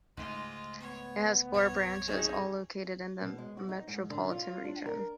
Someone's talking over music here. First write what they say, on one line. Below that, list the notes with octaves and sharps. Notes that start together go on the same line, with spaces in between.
It has four branches, all located in the Metropolitan Region.
C#2 G#2 G#3 A3 F4
B3 C#5
B1 F#2 C#5
C4 C#4 D#4 G#4
B2
G#3
F#4
D#4
G#2
D3
F4
D4
A#4